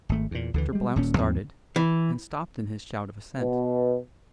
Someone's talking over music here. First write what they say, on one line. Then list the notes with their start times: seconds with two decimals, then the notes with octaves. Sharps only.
Mr. Blount started, and stopped in his shout of assent.
0.09 G#1 A3
0.31 E2 A#2
0.54 D2 D3 E3
0.73 G3 G#3
0.96 D#1 A#2 C#4
1.19 D#2 G#2 F3 C4
1.76 E3
3.38 B2